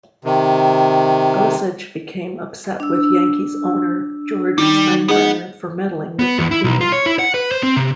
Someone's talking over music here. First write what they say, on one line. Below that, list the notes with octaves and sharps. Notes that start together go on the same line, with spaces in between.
Gossage became upset with Yankees' owner George Steinbrenner for meddling with the team.
C3 D#3
D4 E6
D#3 G3
G#3 B3 D#4 F#5
B3
E2
E4
B1
F4
C#5
E4
F#5
B4
C5
C4
C3